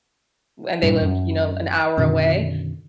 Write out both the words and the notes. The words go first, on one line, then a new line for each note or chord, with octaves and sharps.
and they lived, you know, an hour away,
G2 A#2 G3
F#2
F#2 B2 D3 D#3